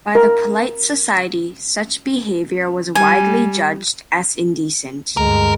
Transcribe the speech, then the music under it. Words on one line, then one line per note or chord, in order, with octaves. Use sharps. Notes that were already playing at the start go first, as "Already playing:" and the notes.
By the polite society, such behaviour was widely judged as indecent.
A#4
G3 G#5
D2 G2 G#3 A#4